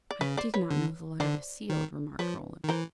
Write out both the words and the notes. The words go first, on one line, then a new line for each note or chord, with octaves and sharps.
"I did not know the letter was sealed," remarked Roland.
D5
C#3 B4 C#5
C5 D5
B4 C#5
D3
D3 C5 D5
D#3
F3 B4 C#5
D#3
E3 A#4 C5